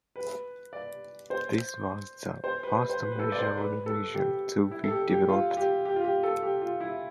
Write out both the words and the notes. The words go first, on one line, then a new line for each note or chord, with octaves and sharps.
This was the first major oil region to be developed.
B4
D5
C5
C5
B4
C5
C5
B4
B4
A4
D5
C5
B4
A4
G4
E4
A4
G4
G4
F4
G4
G4
F4
G4
A4
G4
F4
E4